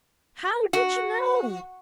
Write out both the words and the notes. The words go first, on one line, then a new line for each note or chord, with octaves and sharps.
"How did you know?"
F#4